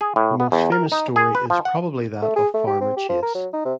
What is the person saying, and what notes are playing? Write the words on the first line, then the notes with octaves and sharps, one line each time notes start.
The most famous story is probably that of Farmer Chase.
G#4
A2
B3
E2
A#4
D#4
G#4
B4
F3
F#5
A3
G#4
A3
G4
C4
G4
F3
A#4
F#3
D#4
C3